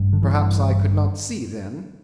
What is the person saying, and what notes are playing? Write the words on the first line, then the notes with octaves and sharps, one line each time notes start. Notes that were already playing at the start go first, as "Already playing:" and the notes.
Perhaps I could not see then.
Already playing: A1 G2
D3
E3